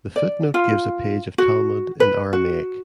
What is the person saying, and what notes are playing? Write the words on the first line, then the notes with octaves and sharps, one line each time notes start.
The footnote gives a page of Talmud in Aramaic.
D5
F4
F#4
B4
F#4